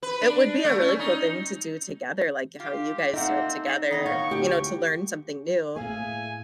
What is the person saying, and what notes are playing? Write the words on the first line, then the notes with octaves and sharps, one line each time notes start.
it would be a really cool thing to do together, like, how you guys do it together, you know, to learn something new,
B4
D4
A3
C#4
D#4
F4 G4
A3 A#3 C4 D#4 F#5
D#3 B3 C#5 D#5
F5 C#6
D2 G4 G5
A2 A#3 G#4 E5 F5 G#5